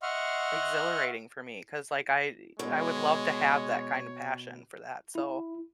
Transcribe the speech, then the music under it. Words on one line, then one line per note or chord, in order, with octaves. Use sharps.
Exhilarating for me 'cause like I I would love to have that kinda passion for that so
D#5 E5 F#5 C6 C#6 F6
B2 G#3 C#5
E4